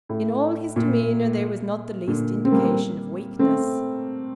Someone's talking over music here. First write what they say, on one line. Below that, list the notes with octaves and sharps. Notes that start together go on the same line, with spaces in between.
In all his demeanour there was not the least indication of weakness.
A2
A#2
A#2 D3
C4
G3 A#3
A3 C4